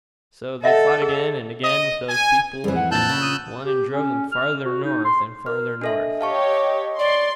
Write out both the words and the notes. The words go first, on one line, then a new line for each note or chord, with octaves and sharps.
So they fought again and again with those people and won and drove them farther north and farther north.
A4 D#5 E5 F#5
G#4 E6
D#5
G#5
F2 E3 G3 G#3 C5
F#5
A#1 A5 E6 F#6 G6 A6
C#3
D#6
G4
C#4
F6
F#4
D#4
C6
A#4 F6
D4 A4 D#5 E5
G4 C#5 F5 A5 C#6
D5 C6